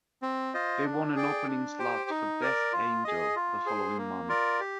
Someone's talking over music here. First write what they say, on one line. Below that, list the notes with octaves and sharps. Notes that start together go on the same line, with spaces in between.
They won an opening slot for Death Angel the following month.
C4
F4 C5 D#5
D4
G#4 D5 G5
D4
G4 C5 G5
D#4
A#4 D5
F4
G#4 D#5
F4
G#4 C5
A#3
F4 A#4 D5
G4